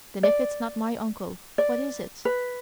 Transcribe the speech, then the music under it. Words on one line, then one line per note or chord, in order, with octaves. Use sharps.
"Then if it's not my uncle, what is it?"
D5
D5
B4